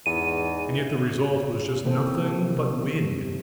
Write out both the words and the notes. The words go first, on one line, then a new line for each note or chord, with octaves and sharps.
And yet the result was just nothing but wind.
E2 G#2 E3 D#7
C3 E3 A#3 C4 A4 C5
C3 D#3 E3